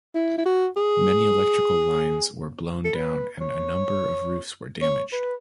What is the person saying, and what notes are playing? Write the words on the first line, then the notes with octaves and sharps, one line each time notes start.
Many electrical lines were blown down and a number of roofs were damaged.
E4
E4
F#4
G#4
A4
B4
C#5
C#5
B4